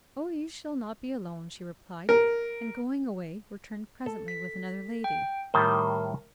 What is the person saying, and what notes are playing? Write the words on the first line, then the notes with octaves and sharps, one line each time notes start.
"Oh, you shall not be alone," she replied, and going away returned presently with another lady.
A#4
A4
B6
G5
A2 D#3 G3 A#4